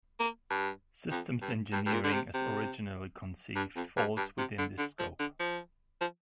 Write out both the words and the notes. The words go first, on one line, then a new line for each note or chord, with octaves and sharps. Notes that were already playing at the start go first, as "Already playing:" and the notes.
Systems engineering, as originally conceived, falls within this scope.
A#3
G2
F2
G2
G2
G2
A#2
D3
C3
C3
G2
F2
G2
G2
C3
D3
D3
F3
D3
F3
F3